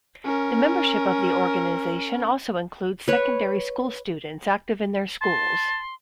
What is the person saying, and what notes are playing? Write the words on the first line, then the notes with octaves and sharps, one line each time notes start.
The membership of the organisation also includes secondary school students, active in their schools.
C#4 A#4
B4 C#5
A5 C6